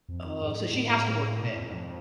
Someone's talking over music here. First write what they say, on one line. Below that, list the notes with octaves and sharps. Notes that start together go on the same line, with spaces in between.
Oh, so she has to work at it.
F2
G#2
A2
B2
A2
F2
G#2
F2